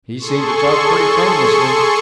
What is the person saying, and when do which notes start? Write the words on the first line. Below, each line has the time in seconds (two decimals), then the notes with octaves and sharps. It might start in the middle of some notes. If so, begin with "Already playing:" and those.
He seemed to talk pretty painlessly.
0.19 G#4 A4 C6 C#6